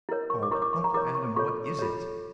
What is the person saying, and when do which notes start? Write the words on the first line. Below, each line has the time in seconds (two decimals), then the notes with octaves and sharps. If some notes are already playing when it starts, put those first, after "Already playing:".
"Oh, Uncle Adam, what is it?"
0.09 E4 A#4 C#5
0.30 C#6
0.43 D6
0.51 E4 A#4 C#5 C#6
0.62 D6
0.73 C#6
0.84 A#5
0.94 E4 A#4 C#5 D6
1.15 C#6
1.36 F4 A4 C#5 C#6
1.79 F4 A4 C#5